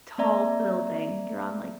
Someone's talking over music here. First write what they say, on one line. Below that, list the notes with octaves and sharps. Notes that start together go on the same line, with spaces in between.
tall building. You're on, like
A#3 C4 D5 E5 A#5